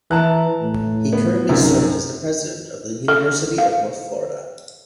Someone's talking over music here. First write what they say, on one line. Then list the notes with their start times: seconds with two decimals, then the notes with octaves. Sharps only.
He currently serves as the president of the University of North Florida.
0.11 E3 A5 A#5 F#6
0.61 A2
1.13 B3
1.49 A#1 F#2 C3 D#3
3.08 A4
3.58 F5